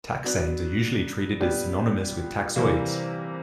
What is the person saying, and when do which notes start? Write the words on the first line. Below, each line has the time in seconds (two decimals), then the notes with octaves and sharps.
Taxanes are usually treated as synonymous with taxoids.
0.24 F#3 B3 D4
1.40 A#2 G3 B3 D4 G4
2.56 C3 E3 G3 A#3